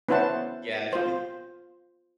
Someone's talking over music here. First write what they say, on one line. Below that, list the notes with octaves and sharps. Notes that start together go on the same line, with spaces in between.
yeah, she
B3 C#4 E4 C5 F#5 A5
F4 C5